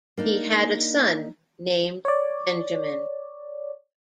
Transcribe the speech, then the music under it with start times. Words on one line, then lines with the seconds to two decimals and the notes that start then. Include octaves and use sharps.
He had a son named Benjamin.
0.17 A#3 D4 D#4
2.05 C#5 D5